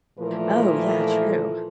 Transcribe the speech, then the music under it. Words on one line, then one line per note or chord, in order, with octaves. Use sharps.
Oh, yeah. True.
A#2 E3 F3 A3 A4 A#4